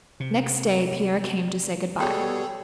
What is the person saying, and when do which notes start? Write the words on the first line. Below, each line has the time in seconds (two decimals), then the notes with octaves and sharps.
Next day Pierre came to say good-by.
0.20 C3
2.00 B2 G3 G#4 A4 C#5 G5